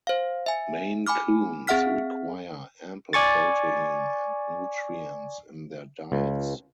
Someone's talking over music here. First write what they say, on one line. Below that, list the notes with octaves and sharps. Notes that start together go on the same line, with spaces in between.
Maine Coons require ample protein and nutrients in their diets.
C5 F5
E5 G#5
G#5 B5 D6 F6
C4 G#4 E5 F#5 F6 B6
D5 G#5 C#6 A6
C#2